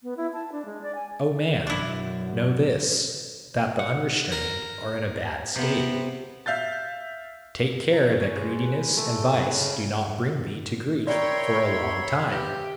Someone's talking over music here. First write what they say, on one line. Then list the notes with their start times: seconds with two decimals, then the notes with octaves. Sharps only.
O man, know this, that the unrestrained are in a bad state; take care that greediness and vice do not bring thee to grief for a long time!
0.03 B3
0.17 E4
0.34 A5
0.52 D4
0.65 G#3
0.82 D5
0.95 G#5
1.67 F#2 B2 D4 E4
3.79 F#5
4.32 A#4
5.56 C3 B3 C4
6.46 E5 F5 G6 A6
7.93 A#5
8.10 C#4
8.36 G#3
8.63 B4
8.97 A3
9.16 G5
9.33 B4
9.51 C#3
11.07 A#4 C#5 D5 E5 G5 B5 C6
12.31 G4 B4 G6